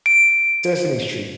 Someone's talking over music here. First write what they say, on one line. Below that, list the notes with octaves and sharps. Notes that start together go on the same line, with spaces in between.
Sesame Street.
D7